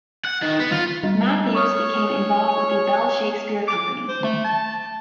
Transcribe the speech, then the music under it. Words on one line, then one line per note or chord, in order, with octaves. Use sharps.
Matthews became involved with the Bell Shakespeare Company.
F#5
D#3
B3
F4
G3 D4
C#5 C#6 D#6 F6
D6
C5
A3
A5